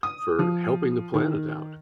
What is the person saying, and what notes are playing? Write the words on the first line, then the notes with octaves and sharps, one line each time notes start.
for helping the planet out.
D#6
F3
D#3